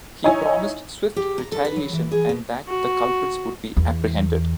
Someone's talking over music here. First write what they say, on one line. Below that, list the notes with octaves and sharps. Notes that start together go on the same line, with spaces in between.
He promised swift retaliation and that the culprits would be apprehended.
D#4 E4 C#5 G#5
G4
A#5
A4
B4
F#3
E3
G#4
B2
F#4
E2